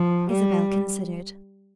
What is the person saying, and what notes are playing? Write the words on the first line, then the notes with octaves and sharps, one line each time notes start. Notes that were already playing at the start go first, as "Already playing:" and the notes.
Isabel considered.
Already playing: F3
G3